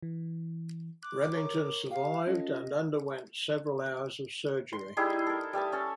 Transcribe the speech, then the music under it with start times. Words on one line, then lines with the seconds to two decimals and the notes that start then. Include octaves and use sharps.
Remington survived and underwent several hours of surgery.
0.03 E3
1.03 D6 F#6
1.34 A#4 C#5
1.91 G4 F5
2.27 C#4 F4 A4 D#5
4.73 C6
4.97 G3 D#4 E4 G#4
5.27 A4 A#4
5.53 G3 E5 A5 D#6
5.72 C#4 A4 C#5